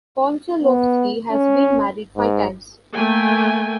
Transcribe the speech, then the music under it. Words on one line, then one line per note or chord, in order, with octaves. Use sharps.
Konchalovsky has been married five times.
B3
C#4
G#2
A3 A#3 G5 G#5